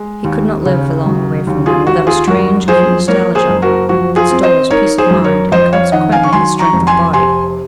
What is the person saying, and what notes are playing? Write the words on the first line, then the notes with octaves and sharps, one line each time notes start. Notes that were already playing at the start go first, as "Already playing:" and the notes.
He could not live for long away from them without a strange, acute nostalgia that stole his peace of mind and consequently his strength of body.
Already playing: G#3
D#2
C#3
F#3
D#2
F4 G#4
D#2 F#4
F4 G#4
F#2 F#4 A#4
F3 G#4 C5
A#3 A#4 C#5
G#4 C5
F#1
F#4 A#4
F3 F#4
F4 G#4
C4
C5 D#5
D#4 A#4 C#5
G#4 C5
F#2
A#4 C#5
F2 C5 D#5
C#5 F5
D#3 D#5 F#5
F5 G#5
C#6
F#3 G#5 C6
A#5 C#6
F1
G#5 C6
C3 G#5 C6